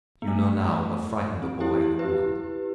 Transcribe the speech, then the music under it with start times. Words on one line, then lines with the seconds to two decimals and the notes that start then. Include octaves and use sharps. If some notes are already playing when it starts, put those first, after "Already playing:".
You know now what frightened the boy in the wood.
0.22 B3
0.28 A3
1.42 C4
1.60 E4 G4
1.99 G4 B4